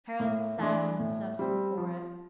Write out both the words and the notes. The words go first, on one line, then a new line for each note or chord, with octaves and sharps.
Harald sat on the steps before it.
A2
E3 A3 D4
A2
G3 C4
F3